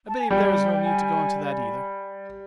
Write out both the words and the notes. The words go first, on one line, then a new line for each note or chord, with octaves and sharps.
I believe there is no need to go into that either.
A5
G#5
G3 G5
G#5